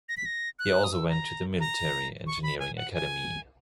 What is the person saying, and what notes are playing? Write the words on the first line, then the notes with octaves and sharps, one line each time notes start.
He also went to the military Engineering Academy.
A#6
B6
A#6
F#6
D#6
E6
A#5
A#5
C#6
B5
G#5
F#5
G#5